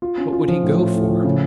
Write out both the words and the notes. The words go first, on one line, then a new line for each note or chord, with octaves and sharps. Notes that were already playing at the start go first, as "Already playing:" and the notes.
"What would he go for?"
F4
C#4
F4
F3
A2
A2
A2
F3
C#3